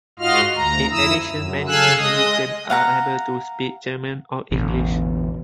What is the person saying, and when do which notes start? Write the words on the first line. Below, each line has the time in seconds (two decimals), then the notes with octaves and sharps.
In addition, many inhabitants are able to speak German or English.
0.19 G#2 F4 F#4 D#5 F5 F6
0.56 D2 A#5
0.91 F2 E4 D#6 E6
1.27 F#2
1.67 C#3 A4 F5 G#5 E6 F#6
1.97 G#3 D#5 D#6
2.70 F5 F#5 A#5
4.51 A1 E2 B2 D3